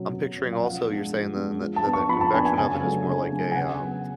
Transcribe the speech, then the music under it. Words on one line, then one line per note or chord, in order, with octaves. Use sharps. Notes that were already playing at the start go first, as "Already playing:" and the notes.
I'm picturing also, you're saying the nu nu nuc convection oven is more like a, um,
Already playing: B2 F#3 C#4
B2
F#3 C#4
F5
F3 F#5
G#3 D4
F3
G#3 D4
F3
A5
B3 D4
C#6
F3 B5
A5
B3 D4 G#5
G#5
C#3 G#5
F#3 A3 D4
C#3
F#3 A3 D4
G#5
C#3 F#5
F#3 B3